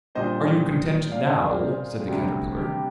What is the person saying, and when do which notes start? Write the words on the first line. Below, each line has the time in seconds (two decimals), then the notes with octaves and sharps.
'Are you content now?' said the Caterpillar.
0.15 A#2 G3 D4 C5 D#5
1.12 D5 F5
1.27 C5 D#5
1.44 A#4 D5
1.59 G#4 C5
2.08 D2 C3 G3 C4
2.57 G4